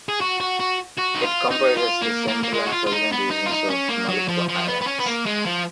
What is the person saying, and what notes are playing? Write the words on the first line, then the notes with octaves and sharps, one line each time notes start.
It comprises the central and southern regions of the Maluku Islands.
G#4
F#4
F#4
F#4
F#4
D#4
F4
D#4
F4
A#3
A#3
A#3
G#3
F#4
F4
F4
D#4
B3
D#4
F4
D#4
C#4
A#3
F#3
F3
F3
B3
B3
C#4
B3
A#3
G#3
F3